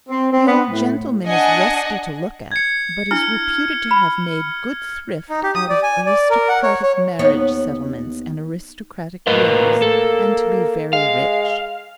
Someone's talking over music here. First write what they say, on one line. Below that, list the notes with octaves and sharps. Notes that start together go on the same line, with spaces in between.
The old gentleman is rusty to look at, but is reputed to have made good thrift out of aristocratic marriage settlements and aristocratic wills, and to be very rich.
C4
C4
B3
A2
D4 D#5 F#5 G#5
G#6 C#7
D4 E4 F6
B5
D#4
G4
D#6
D5
G#5
D5
A#4
F#5
C#5
C#5
D#2 B3 C#5
A2 A#3 B4 D#5
A4
G#3 F5